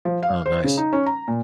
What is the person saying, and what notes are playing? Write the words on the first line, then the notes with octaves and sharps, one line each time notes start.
Oh, nice.
F3
F5
C5
C#3
D#4
C#4
A#5
A#2